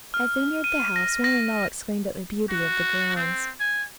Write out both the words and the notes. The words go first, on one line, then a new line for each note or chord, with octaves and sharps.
As they neared the house one and all exclaimed at the beauty of the grounds.
F6
D#7
A#6
A#6
F#4
C4
G#5